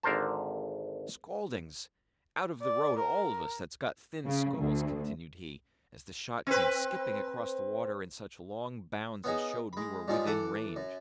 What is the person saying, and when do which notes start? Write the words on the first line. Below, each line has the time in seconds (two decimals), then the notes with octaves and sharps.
"Scaldings! out of the road all of us that's got thin skulls," continued he, as the shot came skipping across the water in such long bounds as showed we were within range.
0.03 G#1 D3 A#4 C5 A5
2.61 D5
2.99 A#4
4.25 C#3
4.58 D2
6.47 C4 B4
9.24 B3 C#4 D#4 G#4
9.73 G#3 B5
10.08 G2 F3 G#3 C#4 D#4
10.27 E3 A4 F#5 D6
10.76 F#2